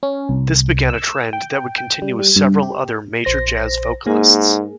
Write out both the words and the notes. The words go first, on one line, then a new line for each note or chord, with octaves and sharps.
This began a trend that would continue with several other major jazz vocalists.
C#4
C2
E6
G5
G5
G3
G3
G2
G4
A#1 C5 A#6
G#2 A#3 G#4